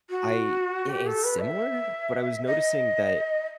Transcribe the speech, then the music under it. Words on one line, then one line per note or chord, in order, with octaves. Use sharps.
I it it's similar, but I was noticing that
F#4
G4
A4
B4
E5
D#5